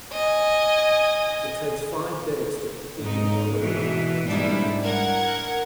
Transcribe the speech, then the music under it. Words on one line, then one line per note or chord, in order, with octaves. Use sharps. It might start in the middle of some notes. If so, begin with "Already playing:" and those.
It takes five days to complete an orbit around Eugenia.
D#5 G#5
G#2 D#4
B2 E3
G#2 G3 D4 E4
A#4 F#5 G#6